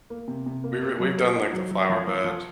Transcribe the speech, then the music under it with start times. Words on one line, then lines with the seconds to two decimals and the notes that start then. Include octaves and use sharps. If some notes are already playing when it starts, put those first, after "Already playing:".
we were we've done, like, the flower bed
0.10 A#3
0.28 C3
0.46 C3
0.64 A#3
0.82 A#3
1.00 F#3
1.18 A#3
1.35 D#4
1.53 F#3
1.71 F#3
1.89 F3
2.07 F3
2.25 F3